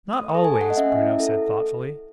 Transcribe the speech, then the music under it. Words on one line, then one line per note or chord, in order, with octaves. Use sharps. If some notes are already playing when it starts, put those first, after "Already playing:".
"Not always," Bruno said thoughtfully.
A3 D#6
C#6
A4 A5
G#5
A3
F#5
D#5
C#4 E5
E4
A4